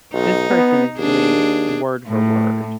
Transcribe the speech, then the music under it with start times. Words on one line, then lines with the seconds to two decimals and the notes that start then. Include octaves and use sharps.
This person is doing word for word.
0.14 B1 D#4
0.50 B3
0.98 D#2 D4 G#4
2.08 A2